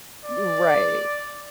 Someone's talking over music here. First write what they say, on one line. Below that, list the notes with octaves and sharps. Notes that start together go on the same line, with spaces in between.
Y right.
D5